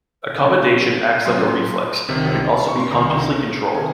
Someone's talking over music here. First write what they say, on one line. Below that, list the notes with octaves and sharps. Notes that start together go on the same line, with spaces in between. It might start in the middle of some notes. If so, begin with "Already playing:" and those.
Accommodation acts like a reflex, but can also be consciously controlled.
A#2 F#3 C#4
A#2 F#3 C#4 C6
C2 C3 D#3
C#6
C6
C2 C3 D#3 A#5
C3 D#3 G#5